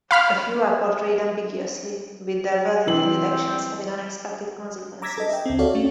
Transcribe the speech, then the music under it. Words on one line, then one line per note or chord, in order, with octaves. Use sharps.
A few are portrayed ambiguously, with their well-intended actions having unexpected consequences.
F5 B5 F6
E3 C4 F#7
A#5 D6 E6 G#6 A#6 B6
A4 D#5
E5 G5
D2 C4
F#4 A4 C#5 D5 F5
A3 C#4